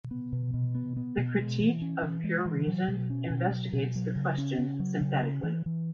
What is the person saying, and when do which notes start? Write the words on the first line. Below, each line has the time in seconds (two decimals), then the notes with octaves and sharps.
The "Critique of Pure Reason" investigates this question synthetically.
0.11 B3
0.33 B2
0.54 B2
0.75 B3
0.97 B3
1.18 B2
1.39 G#3
1.60 E3
1.82 C#4
2.03 E3
2.24 G#3
2.46 E3
2.67 F#3
2.88 B2
3.10 C#4
3.30 B2
3.52 F#3
3.73 B2
3.95 F#3
4.16 C#3
4.38 C#4
4.58 C#3
4.80 F#3
5.01 C#3
5.23 C#4
5.43 E3
5.66 E3